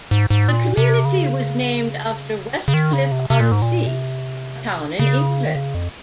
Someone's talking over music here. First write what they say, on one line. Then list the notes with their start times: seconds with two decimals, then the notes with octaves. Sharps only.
The community was named after Westcliff-on-Sea, a town in England.
0.11 G#2
0.30 G#2
0.48 A#2
0.77 C3
1.05 C#3
2.68 C#3
2.74 D#3
2.93 C#3
3.11 C3
3.30 C3
3.40 A#2
3.51 G#2
3.62 A#2
3.87 C3
4.99 C#3
5.46 D#3
5.55 C#3
5.74 F2